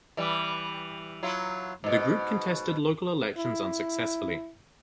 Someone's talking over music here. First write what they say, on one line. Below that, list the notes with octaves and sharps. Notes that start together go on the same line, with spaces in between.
The group contested local elections unsuccessfully.
E3 G3
F#3 E4 F4
G#2 B2
E4